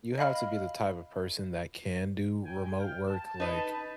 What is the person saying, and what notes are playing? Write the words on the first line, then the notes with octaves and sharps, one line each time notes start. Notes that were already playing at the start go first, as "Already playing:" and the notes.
you have to be the type of person that can do remote work, like
D#5 F5 B5 F6
G5 G#5
F5 G5
A5
D#4 B4